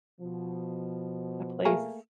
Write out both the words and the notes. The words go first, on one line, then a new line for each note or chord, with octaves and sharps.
a place,
B2 F3
A3 A#3 G#4